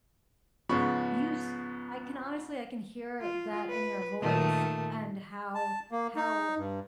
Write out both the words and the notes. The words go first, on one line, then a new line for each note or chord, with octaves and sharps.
You s I can honestly I can hear that in your voice and how how
G#2 C#3 F3 B3 B5 C#6
F4
B4
A#2 D#3 A3
A5
A#3
D#4
G2